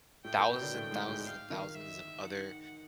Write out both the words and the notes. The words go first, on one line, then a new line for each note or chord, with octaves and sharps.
thousands and thousands and thousands of other,
A2 A3 G5
A#2 A#3
B2 B3
D3 D4
A2 A3
G#2 G#3
G#2 G#3
F5
D#3
E5
F#5